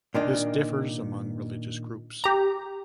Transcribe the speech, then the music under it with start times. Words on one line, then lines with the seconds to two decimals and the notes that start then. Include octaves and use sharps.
This differs among religious groups.
0.14 A#2 D#3 D4
2.24 G4 A#5